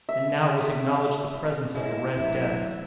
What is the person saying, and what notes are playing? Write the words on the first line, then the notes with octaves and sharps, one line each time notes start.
And now was acknowledged the presence of the Red Death.
E5
C#3 E4 D#5
A1 D2 F#3 E5